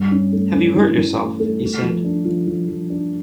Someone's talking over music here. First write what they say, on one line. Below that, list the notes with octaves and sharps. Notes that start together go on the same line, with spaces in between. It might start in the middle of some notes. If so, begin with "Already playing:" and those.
Have you hurt yourself?’ he said.
Already playing: G2
C#4
A3
C#4
E3
E3
A3
A3
A3
F3
D4
F3
F3
F3
D4